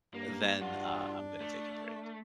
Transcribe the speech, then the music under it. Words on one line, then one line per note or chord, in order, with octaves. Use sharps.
uh, then, uh, I'm gonna take a break.
G2 A#3
D4 F4 F#4
A3